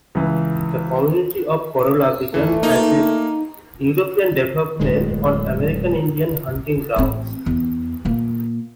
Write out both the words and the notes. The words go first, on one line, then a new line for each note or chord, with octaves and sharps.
The community of Corolla began as a European development on American Indian hunting grounds.
C#2 E3
E3 A3
A#3 D#4
D1 E2 G#3
A1 C4
E2
A#2 A#3